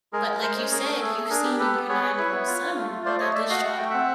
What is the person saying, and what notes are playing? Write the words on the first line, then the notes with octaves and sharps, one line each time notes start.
But like you said, you've seen in your nine-year-old son that this job
G#3 G#4 A#4
G#3
G#3 A#4 C5
C#4
G#4 A#4
A3
G#4 A4
G#4
A4
D4 G#4 A#4
G4
G4 A4 B4
B3
G#4 B4 C#5
G#4
E4
B3
F4
F4
A3
F4
A3 C5 D5
A3 C#5 D#5
A3 D5 E5
F#4 D#5 F5
A3 F#5
A3 G5
C4 E5 F#5